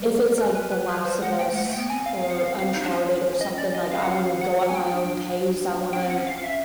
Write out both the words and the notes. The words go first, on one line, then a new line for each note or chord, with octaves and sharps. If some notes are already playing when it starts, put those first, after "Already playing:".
if it's like The Last of Us or Uncharted or something, like, I wanna go at my own pace, I wanna,
Already playing: G3
A#4
B4
B4
F#3 B4
G3 C5
G#3 F#5
A3 G5
G#3 F#5
A3
G5
B3
C4 G#5
F5
F5
F#5
F5
D#4
D4
C#4
D#5
D5
D#5
F5
F#5
F5
F#5
F#5
G#5
G5
D4
D4 G5
C#4
C4 F#5
C#4
F5
F5
E5